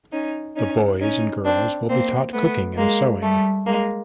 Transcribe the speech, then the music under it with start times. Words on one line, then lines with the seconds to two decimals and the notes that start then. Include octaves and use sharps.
The boys and girls will be taught cooking and sewing.
0.12 C#4 D#4
0.56 C#4 D#4
1.01 C#4 D#4
1.45 C4 D4
1.89 A#3 C4
2.33 A3 B3
2.77 G#3 A#3
3.22 G3 A3
3.67 G#3 A#3